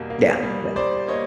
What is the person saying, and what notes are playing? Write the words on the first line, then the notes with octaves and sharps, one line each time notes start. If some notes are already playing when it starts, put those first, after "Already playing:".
Yeah, yeah.
Already playing: E2 B2 G3 A#3
A#3
G3
G3 C5 D5
A#3 C#5 D#5